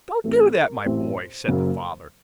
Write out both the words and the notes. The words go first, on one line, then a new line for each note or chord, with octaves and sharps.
"Don't do that, my boy," said the father.
A1 A2 A3 C4 A4
A#4
A1 A2 A3 C4 C5
F#1 F#2 C#3 F#3 A#3